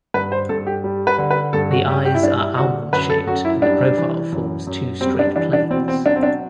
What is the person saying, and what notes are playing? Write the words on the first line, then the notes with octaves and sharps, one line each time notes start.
The eyes are almond shaped and the profile forms two straight planes.
G2 B4
C5
G2 A4
G4
G3
B4
D3
B4
G2 A4
F#4
G2 G4
G4
E4
G3 D4
E4
D3 F#4
F#2 B4
A4
F#2 F#4
E4
G3 D4
E3
F#2
F#2
G3 C4
D4
E3 D4
D4
B2 C4
C4
F#3 D4
C4
D4